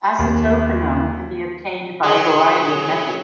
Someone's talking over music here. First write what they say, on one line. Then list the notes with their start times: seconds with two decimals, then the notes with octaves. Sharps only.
Acetophenone can be obtained by a variety of methods.
0.19 D#2
2.04 F#3 G#4